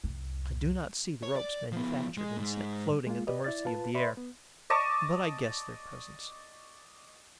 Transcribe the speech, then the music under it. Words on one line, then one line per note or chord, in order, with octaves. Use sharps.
I do not see the ropes manufactured and sent floating at the mercy of the air; but I guess their presence.
C2 F2
C#5
D5
F3 B3
G#3
G#2 G#3
G#3 A#3 F4
G4 B4 D5 D#5
E4 D5 A6
F4 B4 A5
B4 D5 E5 B5 C6
B3
D5 D#5 A5 C#6